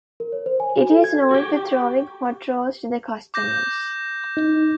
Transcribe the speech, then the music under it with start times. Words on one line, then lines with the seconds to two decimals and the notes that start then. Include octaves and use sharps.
It is known for throwing hot rolls to the customers.
0.20 A#4
0.32 C#5
0.46 C5
0.60 G#5
0.76 F#4
0.91 A4
1.04 G#6
1.31 F#4 G4
3.34 D6 G6 A#6
4.37 D#4